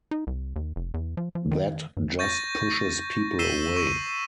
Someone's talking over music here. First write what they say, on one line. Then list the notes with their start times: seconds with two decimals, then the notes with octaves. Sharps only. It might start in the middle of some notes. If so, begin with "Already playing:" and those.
That just pushes people away.
0.11 D#4
0.27 C2
0.56 D#2
0.76 F1
0.94 E2
1.17 F3
1.35 F3
1.51 D#3
1.97 G2
2.19 C#6 G6 A6 A#6
3.39 E6 B6 C7 D#7 E7 G7
3.77 C#6